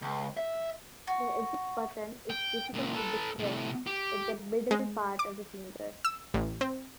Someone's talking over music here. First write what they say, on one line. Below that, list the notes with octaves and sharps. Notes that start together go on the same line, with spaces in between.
The eject button is difficult to depress with the middle part of the finger.
C#2
E5
F#4
G5
C#2 A#2
A4 B4
A2 C3
G4
G#3
D6
E6
A1
C4